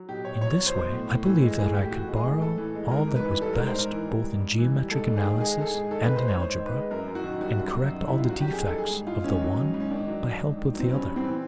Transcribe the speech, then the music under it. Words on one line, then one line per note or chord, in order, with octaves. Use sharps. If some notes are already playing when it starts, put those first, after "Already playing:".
In this way I believed that I could borrow all that was best both in geometrical analysis and in algebra, and correct all the defects of the one by help of the other.
Already playing: F#3
B2 G4
B2 C#5
F#3 C#5
F#3
C5
B2
A2
A2
E3
G#3
A2 G#4
A2 G4
E3 F#4
G#3
G#4
A2
A2 A4
E3
G#3
G#2 A#4
G#2
B4
E3
G3 A4
G#2 A#4
C5
G#2 A#4
E3
G3
G#2
G#2
E3
G3
G#2 A4
G#2
G#4
D#3
G#3 G#4
G#2 A4
G#4
G#2
D#3 A4
G#3 B4
C5
G#2 C#5
G#2 C5
D#3
B4
G#3
F#2 A#4
F#2
F#4
D#3
G3 F#4
F#2
F#2
D#3
G3 E4
F4
F#2
F#4
F#2 G4
D#3 G#4
A4
G3 G#4
G#2
G#2 F4
D#3 C#4
F#3
G#2
G#2
C#4
D#3 D4
F#3
G#2
G#2
D#3
F#3
C4
G2 C#4
G2
C4
E3